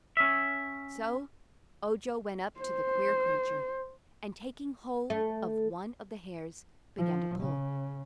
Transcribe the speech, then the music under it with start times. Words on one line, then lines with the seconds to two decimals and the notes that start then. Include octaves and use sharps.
So Ojo went up to the queer creature and taking hold of one of the hairs began to pull.
0.17 C#4 E5
2.60 C5
5.10 A3
6.99 F3
7.40 C#3